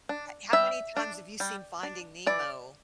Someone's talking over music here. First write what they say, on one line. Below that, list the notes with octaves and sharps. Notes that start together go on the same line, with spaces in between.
He how many times have you seen Finding Nemo?
D4
G3 E5
D4
G3
D4
E3 D5